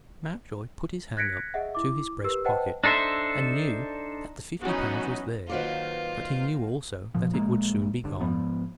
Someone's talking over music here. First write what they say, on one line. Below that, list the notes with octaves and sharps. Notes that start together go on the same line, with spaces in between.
Mountjoy put his hand up to his breast-pocket, and knew that the fifty pounds was there, but he knew also that it would soon be gone.
F#6 G#6 A#6 B6 C#7 D7
G#4 D#5 E5 F#5
E4 D6
G4 A#4 B4 E6
B4 C5 D#5 F#5 G5 A5
D4 D#4 A4 C5 E5
E3 F#3 B3 C#4 D#4 F#4
D#3 F#3 A#3 F4 B4 C5 D5
A1 F#2 A#2 F3
A#1 G#3 A#3
G1 D3
G#2 F3 B3